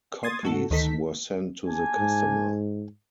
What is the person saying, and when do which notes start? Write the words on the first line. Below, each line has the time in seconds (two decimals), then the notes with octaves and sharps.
Copies were sent to the customer.
0.23 C6 D#6 G#6 A6
0.43 G#2 F#4 A4
0.70 D2 D#3 D#4 A4 B6
1.66 D4 G#5
1.98 G#2